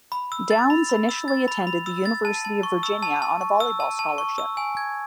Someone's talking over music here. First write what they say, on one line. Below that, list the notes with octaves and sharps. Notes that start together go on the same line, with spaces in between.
Downs initially attended the University of Virginia on a volleyball scholarship.
B5
E6
A6
B5
B5
E6
A6
B5
B5
E6
A6
A5
A5
C#6
E6
A5
A5
C#6
E6
A5
A5
C#6
E6
G#5
G#6